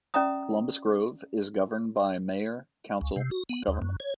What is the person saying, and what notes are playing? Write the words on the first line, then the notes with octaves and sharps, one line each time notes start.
Columbus Grove is governed by a mayor-council government.
C#4 D5 E5 A#5 D#6
C#2
C3
F#4
B3
D#2
F#2
C#5